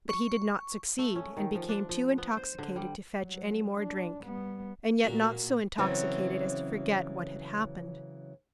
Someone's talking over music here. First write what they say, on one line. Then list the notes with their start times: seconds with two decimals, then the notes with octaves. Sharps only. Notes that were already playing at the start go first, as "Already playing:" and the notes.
But he did not succeed, and became too intoxicated to fetch any more drink, and yet not so intoxicated as to forget what had happened.
0.09 C#6
0.99 A3
1.16 C#4
1.37 D#3
1.55 F3
1.69 D4
1.89 F3
2.18 B3
2.37 C5
2.58 D3
2.76 G3
3.22 F#3 G3
3.76 D4
4.23 G3 B3
5.03 A#2 A#3 F#4
5.78 C#3 E3 F#3 C4 C#4